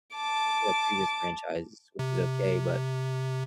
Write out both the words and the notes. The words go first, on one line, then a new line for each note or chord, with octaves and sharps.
you know, previous franchises, which is okay, but,
A5 D6
C3